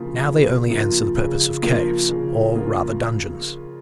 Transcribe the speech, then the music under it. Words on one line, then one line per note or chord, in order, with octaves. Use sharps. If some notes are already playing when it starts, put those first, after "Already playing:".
Now they only answer the purpose of caves, or rather dungeons.
Already playing: C#3 F3 A#3 F4
C#3
F3 A#3 F4
C#3
F3 A#3 F4
C#3
F3 A#3 F4